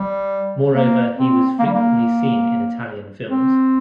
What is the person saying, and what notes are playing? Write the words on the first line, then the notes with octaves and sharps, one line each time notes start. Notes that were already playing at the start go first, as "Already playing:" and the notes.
Moreover he was frequently seen in Italian films.
Already playing: G3
A#3
C4
A#3
G3
A#3
C4